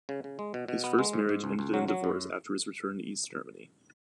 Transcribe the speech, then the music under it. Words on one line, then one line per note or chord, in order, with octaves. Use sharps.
His first marriage ended in divorce after his return to East Germany.
C#3
C#3
G#3
B2
B2
B3
G#3
G#2
G#2
C#2
C#2
F#3
F#3
F#2